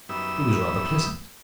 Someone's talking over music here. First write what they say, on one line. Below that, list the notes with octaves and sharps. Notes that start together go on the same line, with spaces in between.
It was rather pleasant.
F#2 G3 B3 D#4 E5 E6